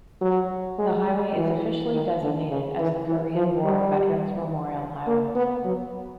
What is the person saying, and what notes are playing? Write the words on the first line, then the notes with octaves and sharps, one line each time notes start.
The highway is officially designated as the Korean War Veterans' Memorial Highway.
F#3
G#3
E3
D#3
D3
C#3
E3
E3
F3
G3
A#3
B3
F#3